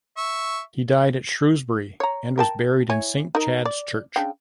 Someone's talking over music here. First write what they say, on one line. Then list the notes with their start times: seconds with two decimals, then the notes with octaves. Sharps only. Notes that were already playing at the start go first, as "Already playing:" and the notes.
He died at Shrewsbury, and was buried in Saint Chad's Church.
0.17 E5 C#6
2.00 C#5 A#5
2.38 A#4 G5 A5
2.89 E4 C#5 G#5
3.35 D#4 A#4
3.65 D5
4.16 C#3 D4 G5